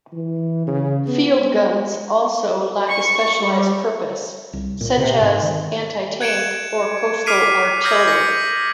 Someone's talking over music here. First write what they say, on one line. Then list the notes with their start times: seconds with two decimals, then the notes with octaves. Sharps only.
Field guns also lack a specialized purpose, such as anti-tank or coastal artillery.
0.13 E3
0.67 C#3
1.07 B3
2.90 C#6
3.40 G3
4.53 C2
4.81 A#2
4.97 C3
5.20 G#2
5.43 D#3
6.21 F#6 G#6 C#7 D7 E7
7.26 D6 F6 B6 C7 D7 D#7
7.84 D#6 F6 G6 G#6 A#6
8.08 A#6 C#7